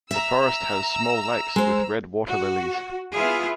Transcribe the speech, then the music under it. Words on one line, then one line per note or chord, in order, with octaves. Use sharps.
The forest has small lakes with red waterlilies.
E5 A#5 E6
G#3 C5
F#4
B3 E4 F4 G#4